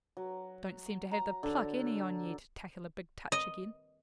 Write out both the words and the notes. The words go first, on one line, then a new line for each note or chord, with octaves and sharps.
'Don't seem to have the pluck, any on ye, to tackle a big touch again.
F#3
A#5
D3
D#5